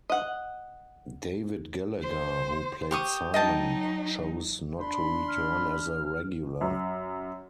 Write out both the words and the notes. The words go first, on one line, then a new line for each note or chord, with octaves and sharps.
David Gallagher, who played Simon, chose not to return as a regular.
D#5 F#5
C5
G4 C#6 D#6
F#3 D#4 D#5 G5 A5
D4 B5 C6
F6
F#2